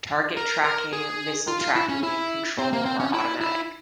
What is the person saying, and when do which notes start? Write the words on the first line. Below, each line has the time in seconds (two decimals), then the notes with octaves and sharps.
Target tracking, missile tracking and control are automatic.
0.37 A#4
0.64 A#4
0.93 G#4
1.48 F4
1.61 F4
1.75 E4
1.89 C#4
2.03 E4
2.59 C4
2.73 A#3
2.85 C4
3.00 C#4
3.14 E4
3.41 E4